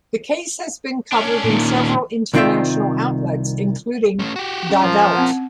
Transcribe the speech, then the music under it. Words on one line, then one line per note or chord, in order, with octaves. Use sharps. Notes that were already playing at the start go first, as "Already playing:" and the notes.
The case has been covered in several international outlets including 'Die Welt'.
C#4 D4
A#2 D#3
C2 D#3 C4 F4 D5 E5
A3 C#4
F#4 G4
C#4
F3 F4 A#4
C4 F#5